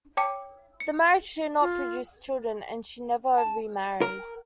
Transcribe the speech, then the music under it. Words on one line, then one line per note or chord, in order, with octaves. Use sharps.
The marriage did not produce children and she never remarried.
C#5 G5 A5 D6 C#7
C#7
F4
A5
A#4